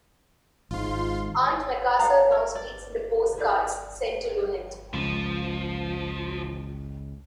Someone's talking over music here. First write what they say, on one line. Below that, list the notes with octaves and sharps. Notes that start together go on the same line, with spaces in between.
Auntie Macassar now speaks in the postcards sent to Loonette.
G#1 G#2 F4 C6
A4 D5 F5 A#5
A#4 C#5
D5
E4 G#4 D5
C#2 F3